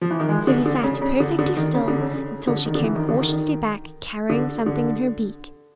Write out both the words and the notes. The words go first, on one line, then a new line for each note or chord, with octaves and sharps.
So he sat perfectly still until she came cautiously back carrying something in her beak.
F3
E3
D#3
G#3
D3
D3
C#3
C#3
D3
D3
D#3
C#3
D3
C#3
D3
D#3
D3
E3
D#3
D3
D#3
D3
D3